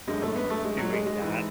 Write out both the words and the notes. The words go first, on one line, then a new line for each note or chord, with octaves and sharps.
from doing that
F#2 D3 G#3
A3
B3
A3
G#3
F#3
G#3
G#3
G#2 E3